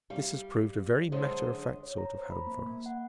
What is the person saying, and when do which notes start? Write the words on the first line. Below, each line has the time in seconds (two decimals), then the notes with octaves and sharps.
This has proved a very matter-of-fact sort of home for us.
0.10 G3 F5
1.12 F#2 D3 G#3 C5
1.83 C#5
1.98 A#5
2.17 C5
2.31 B5
2.47 A#3
2.66 A#3
2.86 F#5